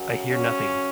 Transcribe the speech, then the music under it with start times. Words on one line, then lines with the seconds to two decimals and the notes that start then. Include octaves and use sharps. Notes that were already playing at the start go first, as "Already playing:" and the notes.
I hear nothing!
Already playing: F#2 C#3 F#3
0.30 C#4